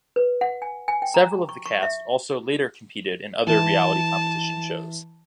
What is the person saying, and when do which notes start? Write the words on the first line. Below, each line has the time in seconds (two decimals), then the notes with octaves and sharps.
Several of the cast also later competed in other reality competition shows.
0.16 B4
0.41 F#5
0.62 G#5
0.88 G#5
1.02 G5
1.14 A#5
1.49 C#6
1.66 C#6
1.83 E5
3.47 E3 A5